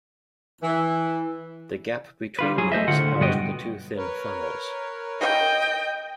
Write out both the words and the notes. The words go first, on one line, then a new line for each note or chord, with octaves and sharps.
The gap between these housed the two thin funnels.
E3
G3 F4 B4
F#3 G#4
A3 C5 D#5 E5
A2 D3 F4 F#5
B1 G2 B3 F#4 D#5 G5
A#4 B4 C#5
D#5 G5